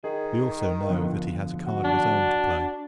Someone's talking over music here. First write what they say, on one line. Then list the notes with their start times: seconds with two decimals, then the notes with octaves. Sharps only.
We also know, that he has a card of his own to play.
0.04 D#3 G#4
0.89 D3 F3 B3
1.67 F#4
1.84 D4